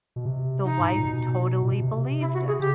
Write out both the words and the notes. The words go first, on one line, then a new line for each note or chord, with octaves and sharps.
The wife totally believed it.
B2
C3
D#4
G#2
A2
A#2
B2
A#2
B2
C3
E4
F#4
G#4
C#3 G4